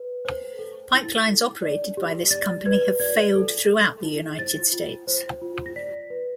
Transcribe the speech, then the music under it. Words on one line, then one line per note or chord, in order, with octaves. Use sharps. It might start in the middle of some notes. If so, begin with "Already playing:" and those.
Pipelines operated by this company have failed throughout the United States.
Already playing: B4
C5
A4
E4 A6
A4
D5
G4
D5 A6
B4 G#6
D5 G#6
A4
A4
E4
C5 A6
F4
C5
F4
A#6
D5 B6
B4